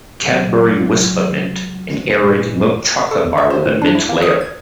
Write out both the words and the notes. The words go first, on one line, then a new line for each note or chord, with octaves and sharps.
Cadbury Wispa Mint: an aerated milk chocolate bar with a mint layer.
C#2 F#3
A#2 E3
A4
E2
E5
C5
A2
D4
E4
A#3
D#6
G#6